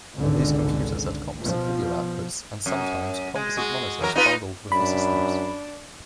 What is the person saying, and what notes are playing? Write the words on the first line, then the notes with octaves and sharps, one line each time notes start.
These computers had composite video outputs, and sometimes composite monitors bundled with the systems.
G#1 C#2 B2 D3
B2 F3
F#2
G#3
G#3 F#4
E3 F#3 A#4
D#4 F4 B4
F#2 D4 B5